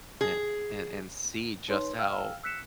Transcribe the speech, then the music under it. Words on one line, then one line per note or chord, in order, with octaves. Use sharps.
and and and see just how
G#4
D#4 B4 C#5 C6
F5 G5 E6 F6
E6 F#6 B6 C#7 E7